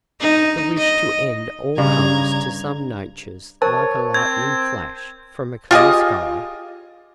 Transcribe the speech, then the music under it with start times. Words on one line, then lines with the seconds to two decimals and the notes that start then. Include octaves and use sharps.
The wish to end all comes to some natures like a lightning flash from a clear sky.
0.21 D#4
0.78 D#5
1.78 G2 C#3 A#5 G#6
3.62 A#4 C5 C#5 A5
4.14 C4 G#6
5.71 F4 G4 G#4 D#5